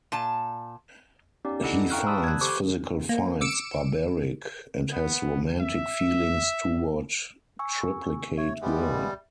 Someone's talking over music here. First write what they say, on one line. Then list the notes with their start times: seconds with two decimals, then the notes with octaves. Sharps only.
He finds physical fights barbaric and has romantic feelings toward Triplicate Girl.
0.12 A#2 A5
1.45 B3 C#4 D#4 G4 D5
1.63 D4 E4 A4 D#5 F#5
1.90 F5 G5 A#5 C#6 F6 F#6
2.06 G4 D5 A5 B5 D#6 E6
2.24 F#6 G#6
2.41 G4 A4 C5 B5 C#6 D6
3.09 A#3
3.41 D6 E6 C#7 D7 E7
4.92 B3
5.61 E5
7.59 G#5 C#6 E6
8.38 C#5 E5
8.61 G3 G#3 B3